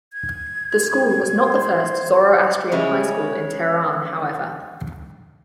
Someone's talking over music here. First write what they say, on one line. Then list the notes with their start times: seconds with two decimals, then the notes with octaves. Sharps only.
The school was not the first Zoroastrian high school in Tehran however.
0.13 G#6
1.37 C5
2.72 C#3 G#3 C#4 E4